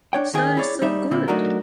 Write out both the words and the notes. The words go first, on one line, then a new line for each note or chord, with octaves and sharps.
Sir is so good!
D4 C#5 G5
D#2 D#3 G#4 G5
E4 G#4 C#5 D5
G3 D#4 E5
A#2 D3 C4 E4
F#3 A3 D4 D#4 F#4 A#4